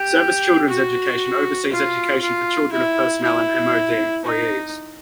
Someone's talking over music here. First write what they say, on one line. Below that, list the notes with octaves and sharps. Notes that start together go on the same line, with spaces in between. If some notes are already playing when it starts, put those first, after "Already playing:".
Service Children's Education oversees education for children of personnel and MoD employees.
Already playing: G4
F#4
F4
F4
E4
E4
D#4